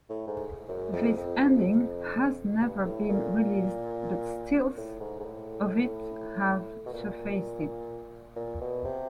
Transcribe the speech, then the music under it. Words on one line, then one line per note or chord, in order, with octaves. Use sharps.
This ending has never been released, but stills of it have surfaced.
A2
G#2
F#2
F2
F2
G2
A2
A#2
A2
G#2
G#2
A2
B2
A#2
A#2
B2
C3